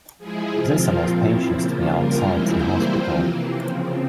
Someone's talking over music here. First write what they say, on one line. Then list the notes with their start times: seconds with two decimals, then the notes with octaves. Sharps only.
This allows patients to be outside the hospital.
0.18 F3 G#3 E4 G#4
0.52 C3 F3 C4 F4
0.85 A#2 F3 C4 F4 A#4
1.19 F3 C4 E4 C#5
1.53 C#3 F3 A#3 F4 C5
1.86 C#3 G3 A#3 F4 A#4
2.20 C#3 F3 G#3 C4 E4 C5
2.54 E3 G3 A#3 E4 C5
2.88 F3 C4 F4
3.22 C3 E3 A#3
3.55 C#3 F3 C4